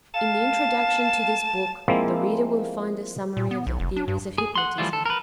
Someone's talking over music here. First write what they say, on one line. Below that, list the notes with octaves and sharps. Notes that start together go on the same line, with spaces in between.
In the introduction to this book the reader will find a summary of the theories of hypnotism.
F5 A5
F3 G#3 A#3 C4 E4
A#2
B3
B1
F1
D4
G2
G#4
F#5 C6
E3 F3 G3 A3 F4
A4
A#4 B4